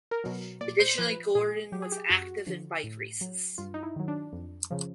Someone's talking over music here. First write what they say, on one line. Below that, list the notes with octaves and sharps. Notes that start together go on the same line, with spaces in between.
Additionally Gordon was active in bike races.
A#4
B2 F#3
A#2 D5
C5
F3 B4
A#2 G#4
F#3 G4
G#4
G4
F#2 F#4
D3 F3
A2
F#3
G2 F4
D#4
E4
D#3 F#3
D4
F2
C#3 F3